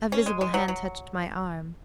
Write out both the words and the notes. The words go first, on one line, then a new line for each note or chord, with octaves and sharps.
A visible hand touched my arm.
C#4
G#3
G#3
F#3
F#3